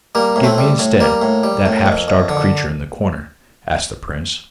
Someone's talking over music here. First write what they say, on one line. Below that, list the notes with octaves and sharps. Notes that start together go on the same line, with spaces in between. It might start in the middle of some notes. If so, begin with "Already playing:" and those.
'Give me, instead, that half-starved creature in the corner,' asked the prince.
G3 A#3
A2
A3 C4
G3
A2
G3 A#3
A2
G3
A2
F2
F2
D3